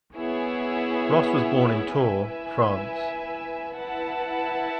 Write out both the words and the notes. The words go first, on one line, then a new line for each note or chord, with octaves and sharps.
Ross was born in Tours, France.
B3 E4 G#4 C#5
E4 B4 E5 G#5
E4 B4 F#5 A5